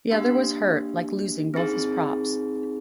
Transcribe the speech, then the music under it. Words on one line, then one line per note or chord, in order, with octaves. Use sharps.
The other was hurt, like losing both his props.
A#3 D4 G4 F5
C4 D#4 G#4